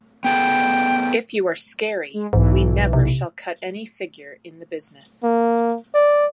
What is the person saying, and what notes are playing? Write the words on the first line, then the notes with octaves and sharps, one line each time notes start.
If you are scary, we never shall cut any figure in the business.
B3 G#4 A4 G5
G#3
B1 G#2 E3
C3
A#3
D5